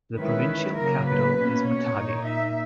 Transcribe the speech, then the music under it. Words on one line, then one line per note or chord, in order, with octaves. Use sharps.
The provincial capital is Matadi.
D#3 G#3 C#4 E4 B4
C#3 F#3 A#3 A#4
B4
B2 A#3 C#4
C#5
A#2 A#3 D#4
E5